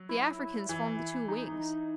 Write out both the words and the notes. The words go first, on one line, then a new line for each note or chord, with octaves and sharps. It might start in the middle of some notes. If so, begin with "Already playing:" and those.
The Africans formed the two wings.
Already playing: F#3
E4
E3
D#4